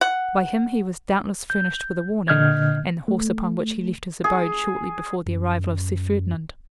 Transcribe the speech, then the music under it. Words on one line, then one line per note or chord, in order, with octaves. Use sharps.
By him he was doubtless furnished with a warning, and the horse upon which he left his abode shortly before the arrival of Sir Ferdinand.
F#5
G6
A#2 D3 D#5 F6 G6 G#6
A3
G#4
F#2